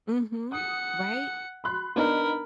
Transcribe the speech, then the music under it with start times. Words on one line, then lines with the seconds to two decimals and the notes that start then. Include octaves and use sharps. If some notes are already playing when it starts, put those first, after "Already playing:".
Mhm. Right?
0.52 F#5 D#6 C#7
1.64 B5 C6 F#6
1.96 B3 D4 D#4 A#4 B5